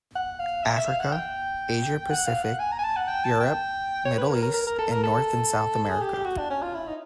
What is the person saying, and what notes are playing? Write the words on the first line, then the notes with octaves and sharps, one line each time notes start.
Africa, Asia-Pacific, Europe, Middle East and North and South America.
F#5
F5
E5
E5
F5
F#5
G5
F#5
F5
F#5
G#5
A#5
G#5
A5
F#5
G5
A5
G5
C#5
B4
A#4
A#4
A#4
A#4
A4
A#4
A4
G#4
G4
G4
F#4
D4
C#4
F4
E4
D#4